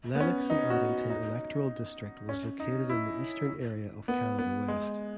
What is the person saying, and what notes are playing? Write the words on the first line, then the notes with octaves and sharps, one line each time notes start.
Lennox and Addington electoral district was located in the eastern area of Canada West.
B3
C#4
D#4
F#4
D#4
C#4
D#4
E4
B3
B3
G#3